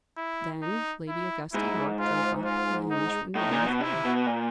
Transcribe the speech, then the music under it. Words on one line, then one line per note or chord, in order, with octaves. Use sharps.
Then Lady Augusta Yorke drove up, and Hamish went away with her.
E4
D#4
E4
G#2 E4
F4
F4
D#4
A2 D#4
A#2
B2
C3 E4
B2
A#2